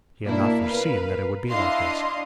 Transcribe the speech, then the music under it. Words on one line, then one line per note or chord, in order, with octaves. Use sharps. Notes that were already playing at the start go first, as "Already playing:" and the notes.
He had not foreseen that it would be like this.
B2 A#3 D4 E4
A#4 B4 F5
D4 E4 D#5 F5 C6